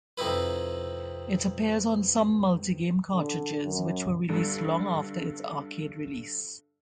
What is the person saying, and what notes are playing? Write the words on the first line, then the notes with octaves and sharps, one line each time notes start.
It appears on some multi-game cartridges, which were released long after its arcade release.
F2 C3 D#4 E4 B4
D3
F#2
G2 D3